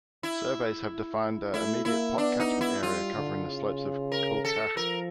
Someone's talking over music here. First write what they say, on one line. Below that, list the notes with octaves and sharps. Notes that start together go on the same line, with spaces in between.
Surveys have defined a immediate pot catchment area covering the slopes of Cuilcagh.
E4
A3 E4
A#3 E4
B3 D4
D#4
E4
G3 F4
D3
C#3
A#4
A4
F3 A#4